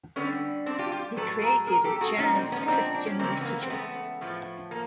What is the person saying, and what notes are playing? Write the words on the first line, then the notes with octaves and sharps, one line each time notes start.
He created a jazz Christian liturgy.
D3 G3 B3 C#4
C4 D4
F4 G4
F4 G4
A2 F#3 A3 A4 B4
G#4 A#4
G#4 A#4
G4 A4
F#4 G#4
A#2 F3 G#3 C#4 D#4
C4 D4
B3 C#4
D#4
C4 D4
D4
C#4
C#3 E3 G#3 A#3 C4
B3
A#3
C4
A3 B3
A2 F3 A3
A#3